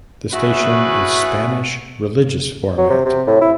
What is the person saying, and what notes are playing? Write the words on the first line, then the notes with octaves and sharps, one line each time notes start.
The station is Spanish religious format.
A3 C#4 E4 F#4 G#4 B4
F#3
C3
C3
A2
E4